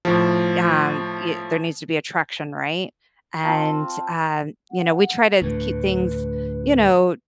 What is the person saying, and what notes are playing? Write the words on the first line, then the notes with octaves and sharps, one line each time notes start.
um, y there needs to be attraction, right, and, um, you know, we try to keep things, you know,
A2 F3
C4 F4 A5
F#5
D2 A2 D3 B4